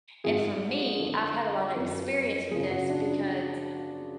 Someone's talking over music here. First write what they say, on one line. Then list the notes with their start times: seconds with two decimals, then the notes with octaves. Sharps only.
and for me, I've had a lotta experience with this, because
0.24 G#2 F3 G#4
1.00 F2 D3 F3 A4
1.75 F#2 F3 B4
2.51 F#2 C#3 F3 G#4
2.71 F#4
2.89 D4